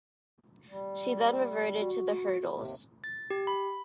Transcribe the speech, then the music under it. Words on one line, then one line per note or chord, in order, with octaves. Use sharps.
She then reverted to the hurdles.
G3
F#4
D#2 C3
A6
G4
B5